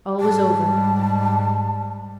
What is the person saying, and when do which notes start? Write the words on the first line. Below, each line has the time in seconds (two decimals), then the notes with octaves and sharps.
All was over.
0.20 G#2 G3 A5